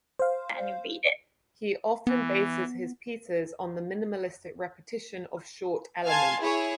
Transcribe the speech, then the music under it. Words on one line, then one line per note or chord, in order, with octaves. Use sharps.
He often bases his pieces on the minimalistic repetition of short elements.
C5 F5
E3 B3
F5 G#5 A5 C6 G#6
E4 G#4 C#5